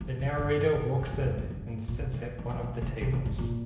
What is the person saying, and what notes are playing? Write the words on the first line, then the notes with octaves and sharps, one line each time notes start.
The narrator walks in and sits at one of the tables.
F2
F2
G2
G2
G2
G2
F2
F2
G2
A#2
C3
D#3
D#3
F3
D#3
C#3
C3
C#3
G#2
A#2